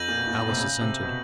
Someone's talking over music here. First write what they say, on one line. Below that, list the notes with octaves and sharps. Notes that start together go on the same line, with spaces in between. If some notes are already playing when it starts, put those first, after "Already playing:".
Alice assented.
Already playing: F2 G6 A#6 D#7 F#7
A#2
B2
A#2
A2
C3
C#3
C3
B2